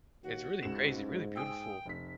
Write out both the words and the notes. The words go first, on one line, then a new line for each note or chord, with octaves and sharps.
It's really crazy, really beautiful,
D#2 F#4
C#2 G#2 C#3 E7
G5 G#5 D#6 E6
F1 B6